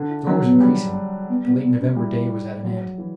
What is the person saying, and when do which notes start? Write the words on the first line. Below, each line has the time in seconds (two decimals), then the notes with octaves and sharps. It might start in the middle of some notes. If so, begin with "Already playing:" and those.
The storm was increasing; the late November day was at an end.
Already playing: D3
0.10 E4
0.27 F#3 C#4
0.44 B3
0.60 G3
1.29 B3
1.45 B3
1.63 B3
1.80 C#4
1.96 G3 E4
2.64 F#3
2.98 E3